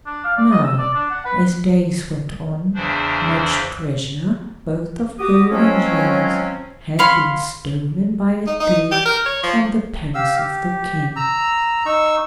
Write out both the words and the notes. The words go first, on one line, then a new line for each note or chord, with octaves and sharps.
Now, as days went on, much treasure, both of gold and jewels, had been stolen by a thief from the palace of the King.
D4
F5
D5
D#5
E6
D5
D4
F#5
B4
E2 C#3 E3 D4 C5
F#4 G4 D#6
F3 F#3 G#3 C4 C#4
C#5 F5 B5 C6
D#4
D#4
G4
A#4
C#5
F3
G4 F5 E6
G4
A#5 E6
D#4 C#6 E6